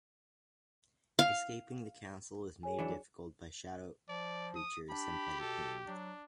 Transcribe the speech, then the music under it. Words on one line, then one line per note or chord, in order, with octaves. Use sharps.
Escaping the castle is made difficult by shadow creatures sent by the Queen.
F5
G#4 C#5 G#5
E3 F#3 D4
F3 D5
D#6
D4 G4 B5
B2 A4
F#3 D4